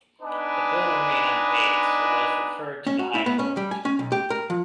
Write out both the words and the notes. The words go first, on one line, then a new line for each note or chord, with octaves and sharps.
The bill remained unpaid so was referred to the high court.
B3 D4 D#4 B4 D#5 G#5
C#4
F#4
E4
B3
C#4
G3
G#5
C#4
B1
G4
A#4
F3